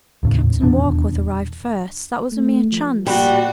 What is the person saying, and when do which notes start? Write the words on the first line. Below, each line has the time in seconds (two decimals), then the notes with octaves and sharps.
"Captain Warkworth arrived first; that was a mere chance."
0.23 D#2 A2 C#3
0.61 D#1 E2 B2 D4
2.32 A3
2.72 F3
3.07 A#2 G3 F#4